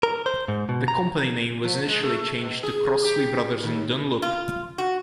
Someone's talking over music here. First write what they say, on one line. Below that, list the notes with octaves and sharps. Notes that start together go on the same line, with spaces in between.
The company name was initially changed to Crossley Brothers and Dunlop.
A#4
C5
G#2
B2
A#5
F3
G#3
A3
B2
G#4
G4
D#2
F4
F#4